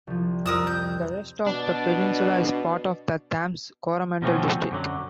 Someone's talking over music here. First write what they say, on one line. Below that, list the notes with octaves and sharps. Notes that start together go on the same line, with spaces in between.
The rest of the peninsula is part of the Thames-Coromandel district.
C2 F3
F2 A#4 D#6 E6
G6
B2 D4
B2 D3 F3 A3 C4 C#4
F#2 D3 F#3